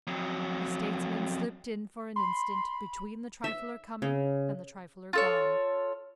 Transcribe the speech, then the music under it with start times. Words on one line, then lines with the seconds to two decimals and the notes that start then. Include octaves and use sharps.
The statesman slipped in for an instant between the trifler coming and the trifler gone.
0.07 F2 F#3
2.16 B5 C6
3.44 E5
4.02 C#3
5.13 F4 A4 C#5